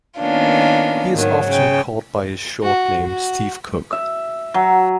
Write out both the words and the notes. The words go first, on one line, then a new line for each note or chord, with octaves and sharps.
He is often called by his short name Steve Cook.
D#3 A#3 B3 C#4 D4 F4
G#2 D#3 F#3
C#3 G5
F#4
F#4
E5
F#3